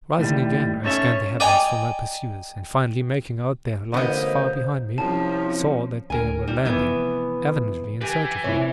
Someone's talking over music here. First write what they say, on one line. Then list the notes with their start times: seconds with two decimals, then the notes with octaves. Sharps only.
Rising again I scanned the heavens for my pursuers, and finally making out their lights far behind me, saw that they were landing, evidently in search of me.
0.19 D#2 A2 G3
0.84 C#4 D#4 A4 C#5 E5
1.40 D5 D#5 G5 G#5 A#5
3.94 A1 D3 A#3 B3 D#4 C5
4.98 C2 F3 C4 C#4 C#5 A5
6.10 D2 A#4 G#5
6.47 G3 D#4
6.65 F1 E3 B3
8.01 G4 B4 G#5
8.44 C3 E4 C#5